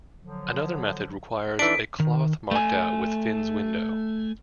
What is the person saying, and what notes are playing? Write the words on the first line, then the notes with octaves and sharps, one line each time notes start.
Another method requires a cloth marked out with Finn's Window.
D3 F3 F#3
E3 D4 D#4 F4 A4 B6 D7
D#3
A3 G#5